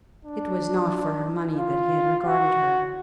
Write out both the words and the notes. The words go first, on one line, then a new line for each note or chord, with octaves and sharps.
It was not for her money that he had regarded her.
D4
F4
F#4